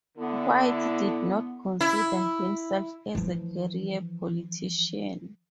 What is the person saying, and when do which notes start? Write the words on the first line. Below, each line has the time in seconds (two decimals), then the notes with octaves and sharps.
White did not consider himself as a "career politician".
0.18 D3 B3 E4 A4
1.81 E4
3.15 E3 F3